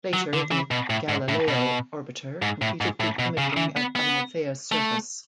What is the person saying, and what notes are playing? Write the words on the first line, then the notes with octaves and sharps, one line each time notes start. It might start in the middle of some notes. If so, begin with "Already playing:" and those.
Later, the "Galileo" orbiter completed the imaging of Amalthea's surface.
F#3
D3
E3
B2
A2
G#2
A2
B2
G#2
A2
G#2
A2
B2
C#3
E3
B3
B3
A3